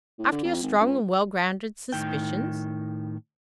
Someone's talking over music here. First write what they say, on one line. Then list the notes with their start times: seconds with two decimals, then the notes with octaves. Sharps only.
"After your strong and well-grounded suspicions?"
0.19 A2
0.32 D3
0.44 F2
0.63 G#1
0.81 C#2
1.93 A2 D#3 G5